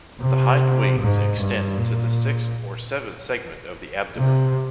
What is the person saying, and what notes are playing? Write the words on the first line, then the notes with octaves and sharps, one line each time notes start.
The hind wings extend to the sixth or seventh segment of the abdomen.
C3
G#2
G2
A#2
C3